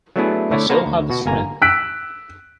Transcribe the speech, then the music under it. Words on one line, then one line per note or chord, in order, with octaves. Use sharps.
I still had the strength.
F#3 A3 B3 D4 E4 G#4
D3 A3 E4 C#5 D5
A#3 F#4 B4 C5 A5 A#5
D2
B2 F#4
G1 A#3 G#5 A#5
E6 F#6 B6 D7